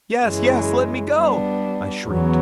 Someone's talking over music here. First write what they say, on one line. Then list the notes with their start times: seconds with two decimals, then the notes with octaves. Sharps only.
'Yes, yes! let me go,' I shrieked.
0.22 F#2 C#3 E3 G#3
1.15 G3 B3 D4
2.06 E2 C#3 F#3 B3